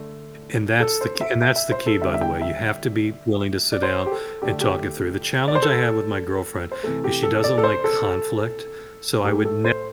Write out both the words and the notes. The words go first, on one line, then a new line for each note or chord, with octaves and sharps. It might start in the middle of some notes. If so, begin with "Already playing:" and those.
And that's the ke and that's the key, by the way, you have to be willing to sit down and talk it through, the challenge I have with my girlfriend is she doesn't like conflict, so I would never
Already playing: D3 A3
A4
C5
E5
E5
E5
C5
A4
D3 G3 E5
E5
G5
E5
D5
C5
G4
A4
D3 A3 G4
G4
D5
C5
A4
C5
C3 E3 A3 A4
G4
A4
D5
A4
C5
A4
A2 A3 G4
A4
C5